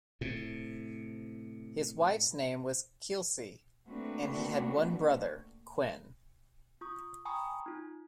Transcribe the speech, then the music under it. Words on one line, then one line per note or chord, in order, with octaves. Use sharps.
His wife's name was Kylsea, and he had one brother, Quinn.
A2 C3
A3 A#3 C4 D4 F#4 B4
F4 C#6 D#6
G5 G#5 A#5 B5 C#6 D#6
D#4 F4